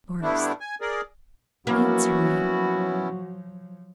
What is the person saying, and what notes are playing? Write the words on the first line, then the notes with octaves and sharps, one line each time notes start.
"Doris, answer me."
G2 G3 A3 B3 D4 E4
G#5
G#4 A#4 D5
F3 F#3 A#3 B3 C#4 E4 F#4